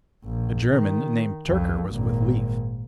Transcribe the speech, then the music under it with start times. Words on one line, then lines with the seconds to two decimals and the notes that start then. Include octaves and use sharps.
A German, named Tyrker, was with Leif.
0.24 A#1
0.75 D#3
1.46 C2 F2
1.88 G#1 A#2